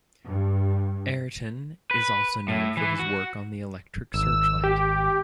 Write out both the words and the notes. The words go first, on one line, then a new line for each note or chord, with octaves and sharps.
Ayrton is also known for his work on the electric searchlight.
G2
B4
A2
E3
F#4
G#1 E6
G4